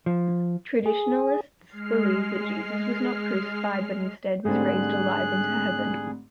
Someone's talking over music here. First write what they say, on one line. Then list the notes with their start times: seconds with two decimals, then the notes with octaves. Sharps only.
Traditionalists believe that Jesus was not crucified but instead was raised alive into heaven.
0.06 F3
0.86 G#4
1.68 G#3 F6 C7
4.45 G#2 D3 G3 A3 C4 G#4 F#6